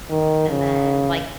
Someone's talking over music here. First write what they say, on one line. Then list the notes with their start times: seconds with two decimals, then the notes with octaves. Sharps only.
And then, like,
0.10 D#3
0.50 C#3